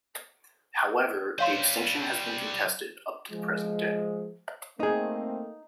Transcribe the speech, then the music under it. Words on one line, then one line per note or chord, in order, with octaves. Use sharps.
However, the extinction has been contested up to the present day.
G3 C5 C#5 F5 C6
F3 G#3
A3 A#3 C4 D#4 G#4